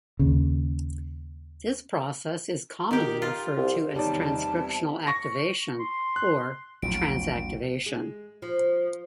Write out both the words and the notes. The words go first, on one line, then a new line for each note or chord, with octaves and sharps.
This process is commonly referred to as transcriptional activation, or transactivation.
D#2 C#3
D#3 G4
F4
C2
E2 C3 D#3 G3 D#4 C#5 D5 A5
C3 E4
C#6 A#6
C6
F#6
A1 D#2 F3 F#3 D7
G#3
F3